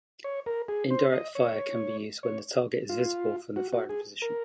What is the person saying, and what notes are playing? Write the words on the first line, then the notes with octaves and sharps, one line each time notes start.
Indirect fire can be used when the target is visible from the firing position.
C#5
A#4
G#4
C5
D#5
C#5
C#5
F4
F#4
F#4
G#4
A#4